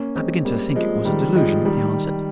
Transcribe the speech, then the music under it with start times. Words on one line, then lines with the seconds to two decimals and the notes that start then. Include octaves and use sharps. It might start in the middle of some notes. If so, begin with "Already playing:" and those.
"I begin to think it was a delusion," he answered.
Already playing: A#3 C#4
0.15 G#3 C4
0.45 G3 A#3
0.75 F3 G#3
1.05 D#3 G3
1.35 F3 G#3
1.65 D#3 G3